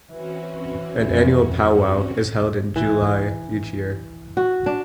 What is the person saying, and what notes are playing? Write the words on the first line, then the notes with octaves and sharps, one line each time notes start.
An annual pow-wow is held in July each year.
E3 C4 C#4 F#4
F2
E3
F#4
D4